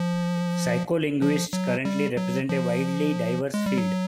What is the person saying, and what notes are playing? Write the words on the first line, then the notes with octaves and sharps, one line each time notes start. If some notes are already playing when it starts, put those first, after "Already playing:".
Psycholinguists currently represent a widely diverse field.
Already playing: F3
F3
F#3
G3
F#3
F3
G#3
G3
F#3